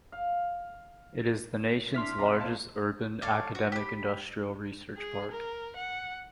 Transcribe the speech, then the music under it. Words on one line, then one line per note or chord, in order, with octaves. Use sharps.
It is the nation's largest urban academic-industrial research park.
F5
D4 E4 C6 F6 B6
C3 A#5 B5
B1 F5 A5
A4 C#5 D5 F5
F#4
G4 B5
G#4
A#4
F#5